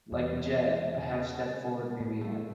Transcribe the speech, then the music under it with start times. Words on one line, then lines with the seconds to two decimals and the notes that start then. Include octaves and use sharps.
Like the jab, a half-step forward may be added.
0.12 E2
0.98 C#3
2.00 A2
2.21 A3